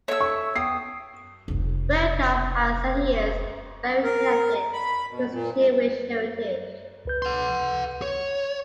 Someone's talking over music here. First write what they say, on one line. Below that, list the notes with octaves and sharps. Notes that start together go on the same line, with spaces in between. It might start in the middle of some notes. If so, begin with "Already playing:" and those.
Bierko has said he is "very connected" to his Jewish heritage.
A4 C#5 E5 A5 E6
C#6
B3 G5 D#6 C7
F1 C#2
A#4
B5
B2
A#2
G#3
C#2 B4 G6
F#5 C6
C#5